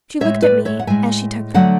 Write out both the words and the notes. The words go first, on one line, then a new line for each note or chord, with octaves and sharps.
She looked at me as she took them.
A2 G#3 C#5 E5
B4 D5
C#5 E5
F#5
A2 G#3 E5 G#5
D3 F#3 A3 D5 F#5